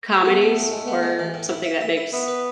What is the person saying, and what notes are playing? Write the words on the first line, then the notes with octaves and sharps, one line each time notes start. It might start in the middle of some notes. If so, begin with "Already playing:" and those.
comedies, or something that makes
A3 B3
B3
A2
G#3
B3
G#3
E3
A2
E4
E5
E5
E4
B3 E5
B4